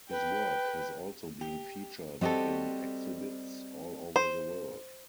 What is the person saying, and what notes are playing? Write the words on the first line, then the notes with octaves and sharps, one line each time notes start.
His work has also been featured in exhibits all over the world.
B4 G5
G4
G3 C4 F#4 G4 A4 D#5
C5